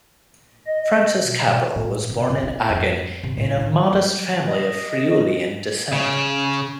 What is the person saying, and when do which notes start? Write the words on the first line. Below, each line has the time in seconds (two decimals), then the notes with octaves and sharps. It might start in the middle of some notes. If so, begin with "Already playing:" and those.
Francis Cabrel was born in Agen into a modest family of Friulian descent.
0.67 D#5
1.23 B2
1.76 A2
2.10 C3
2.30 C3
2.43 E4
2.70 F2
3.23 C3
3.37 A2
3.57 E4
3.92 F#3
4.47 D#5
5.92 C#3